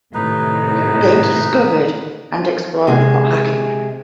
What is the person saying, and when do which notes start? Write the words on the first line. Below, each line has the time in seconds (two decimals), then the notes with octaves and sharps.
They discovered and explored Port Hacking.
0.14 A2 C3 D#3 D#4 B4
2.87 C3 G#3 G#4